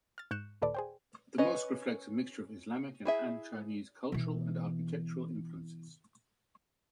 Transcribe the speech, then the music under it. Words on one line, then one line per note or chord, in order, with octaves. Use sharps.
The mosque reflects a mixture of Islamic and Han Chinese cultural and architectural influences.
F6 A6
G#2 C#6 F#6 G6 C#7 E7
D#2 A#2 A4 B4 D5
G#4 C5 G5
C#4 B4 D#5
E4 G#4 E5
B2 E3